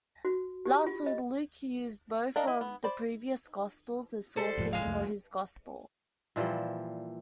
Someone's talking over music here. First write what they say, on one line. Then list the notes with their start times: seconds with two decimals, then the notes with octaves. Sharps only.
Lastly, Luke used both of the previous gospels as sources for his Gospel.
0.25 F#4
0.65 G4
0.87 F4
1.06 D#5
2.36 D4 A#4 D#5 F5 A#5
2.47 E4 D#5
2.61 B3
2.84 C5 D5 B5
4.36 G3 A4 C5
4.58 E1 G#2 F3
4.73 G#3 F5
4.85 C2 F2 A3
6.36 A#2 E3 F3 G3